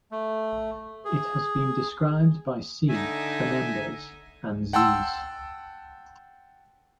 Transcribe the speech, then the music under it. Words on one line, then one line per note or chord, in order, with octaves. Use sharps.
It has been described by C. Fernandez and Zs.
A3
G#4
D3 D#4 E5 G#5
F#5 G5 A5 C6 E6